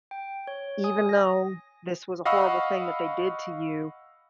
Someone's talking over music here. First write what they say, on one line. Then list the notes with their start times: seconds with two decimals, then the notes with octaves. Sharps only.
even though this was a horrible thing that they did to you,
0.11 G5
0.47 C#5
0.84 G#5 D#6
1.09 A#6
2.25 D#5 F5 F#5 B5 C#6 E6